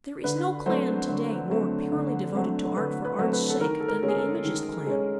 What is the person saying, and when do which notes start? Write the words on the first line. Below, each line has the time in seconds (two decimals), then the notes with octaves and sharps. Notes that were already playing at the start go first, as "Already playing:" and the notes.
There is no clan to-day more purely devoted to art for art's sake than the Imagist clan.
0.24 D3 B4
0.66 F#3 A3 C4 C5
1.08 D3
1.50 F#3 A3 C4
1.92 D3
2.34 F#3 A3 C4
2.76 D3 B4
3.05 B4
3.19 F#3 A3 C4
3.33 B4
3.50 A4
3.61 D#3 A#4
3.80 A4
3.88 A#4
4.03 G#3 C#4
4.08 G#4
4.17 A4
4.44 D#3
4.86 G#3 C#4